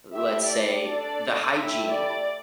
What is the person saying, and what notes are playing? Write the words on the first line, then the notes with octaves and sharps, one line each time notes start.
Let's say the hygiene-
A3 E4 G4 E5
D5
D4 A4
A3 E4 G4 E5
D5